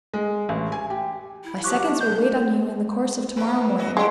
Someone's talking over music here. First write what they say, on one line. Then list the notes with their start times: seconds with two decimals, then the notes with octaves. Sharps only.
My seconds will wait on you in the course of to-morrow morning.
0.14 G#3
0.49 A1
0.72 G#5
0.90 G4
1.44 E4
1.64 D2 F3 F#3 G4 C#6 D6 F#6
1.82 D4
2.01 C3 G#3 D4 G6
3.36 G#2 E3 B4
3.78 E2 F#4 D#5
3.97 G3 G#3 E4